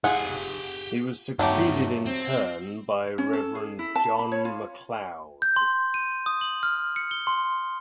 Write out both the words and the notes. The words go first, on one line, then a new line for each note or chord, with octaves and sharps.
He was succeeded in turn by Rev John Macleod.
F4 G4 G#4 F#5 G#5
G2 D#3 F#3 A3 G4
C4
C#4
A4
G#4
E4
A5
B5
C#5
F4
G6
C6
D#7
D#6
F#7
F6
C#7
G7
C6